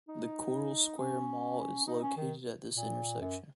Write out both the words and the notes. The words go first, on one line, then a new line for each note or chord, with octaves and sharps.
The Coral Square mall is located at this intersection.
D#4
C#4
D#4
C#4
D#3
A#2
F#2